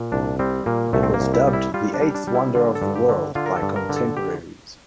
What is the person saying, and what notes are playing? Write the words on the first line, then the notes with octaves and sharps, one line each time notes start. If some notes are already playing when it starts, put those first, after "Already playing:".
It was dubbed the "Eighth Wonder of the World" by contemporaries.
Already playing: A#2
C2 D4
G3 C4
A#2 A#3
C2 A3
C4
A#3
C2
E4
G3
E4
G3 F4
D4
G3
D4
G3
E4
D3 F4
A4
G2
G4
D3
D3 F4
A#4
A4
G2
A#4
D3
A4
G4